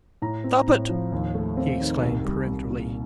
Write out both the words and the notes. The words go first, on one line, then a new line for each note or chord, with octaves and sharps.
"Stop it!" he exclaimed peremptorily.
A2 A#5
C4
A2
F3
D#2
A3
C4
D#3
C2
G3
C2
A#2